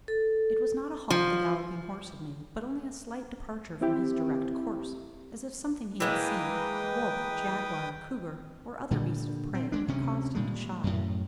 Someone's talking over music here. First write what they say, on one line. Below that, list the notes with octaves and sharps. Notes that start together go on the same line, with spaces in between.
It was not a halt the galloping horse had made, but only a slight departure from his direct course; as if something he had seen--wolf, jaguar, cougar, or other beast of prey--had caused him to shy.
A4
F3
C4 E4 G4
E3 G#3 A#3 B4 G5 D#6
A#2 D3 G3
C4
G#3 A#3 D4
D2 C3 C#4
A#2 G3 G#3
F#2 A2